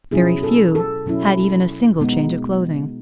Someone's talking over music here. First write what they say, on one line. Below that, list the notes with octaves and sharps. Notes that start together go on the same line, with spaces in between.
Very few had even a single change of clothing.
B2 F#3 C#4 E4 G#4
A4
A4
B2 F#3 C#4 E4
B2 G#3 B3 D#4